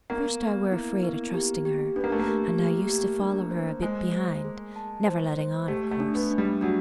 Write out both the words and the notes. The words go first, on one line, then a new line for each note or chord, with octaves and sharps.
At first I were afraid o' trusting her, and I used to follow her a bit behind; never letting on, of course.
A#3 B3
B3
E4
B3
G4
G4
B3 D4
A#3
A3
A#3
G4
G4
G4
D4
C5
G#3 C5
C5
G#4
A5
C5
C5
A3 G4
A3
D4
B3
D4
G3
F#3 D4